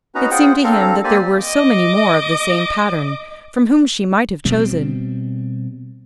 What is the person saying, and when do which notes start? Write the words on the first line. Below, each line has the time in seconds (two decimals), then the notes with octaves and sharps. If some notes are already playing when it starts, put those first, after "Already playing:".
It seemed to him that there were so many more of the same pattern from whom she might have chosen.
0.15 B3 C#4 D#4 F#4 B4 A#5
0.31 F4 G#4 C5 F#5 G5
0.64 C4 D4 A4 C5 F5 A#5
1.04 A#3 C4 G4 C5 D5 G#5
1.43 D#5 D6
4.45 B2 G3 C4